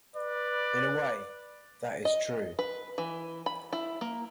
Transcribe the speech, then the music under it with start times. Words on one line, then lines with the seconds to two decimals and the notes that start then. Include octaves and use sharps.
In a way, that is true.
0.15 B4 D5
2.05 D#5
2.59 B4
2.98 E3
3.46 B5
3.73 E4
4.01 A#3